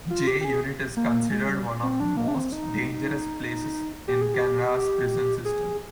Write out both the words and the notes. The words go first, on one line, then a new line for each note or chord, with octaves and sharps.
J unit is considered one of the most dangerous places in Canada's prison system.
F4
G4
G4
G#4
A#3
G#3
G3
C4
D4
A#3
D4
C4
D#4
G4
G#4
G4
G#4